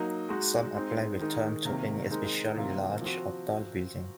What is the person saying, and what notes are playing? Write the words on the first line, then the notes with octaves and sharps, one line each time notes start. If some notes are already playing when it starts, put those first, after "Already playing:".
Some apply the term to any especially large or tall building.
Already playing: F#3 A#3 D#4 F#4
G#3 D#4 F#4
G#3 C4 D#4
D#3 G#3 D#4 A#4
C3 D#3 A#3
G#3 C4 D#4 A#4
C3 D#3 F#3 A#3 F4
F3 C4 F#4